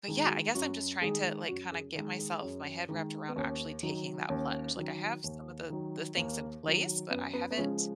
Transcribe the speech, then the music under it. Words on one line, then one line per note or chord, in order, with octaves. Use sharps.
but, yeah, I guess I'm just trying to, like, kinda get myself my head wrapped around actually taking that plunge, like, I have some of the the things in place, but I haven't
D#3 G#3
F#4
F#2 F#4
D#3 G#3 G#4
F#2 F#4
G#4
D#3 G#3 G#4
G#4
F#2
D#3 G#3
B3
D#2 C#4
D#3 F#3 D#4
D#2 C#4
D#3 F#3
D#2
D#3 F#3
D#2 A#3
D#3 F#3
F#2 B3
B3
B3
C#3 F3 G#3 C#4